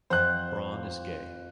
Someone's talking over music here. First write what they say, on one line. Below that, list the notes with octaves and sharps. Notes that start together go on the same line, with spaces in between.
Braun is gay.
F2 F3 C5 F#5 F#6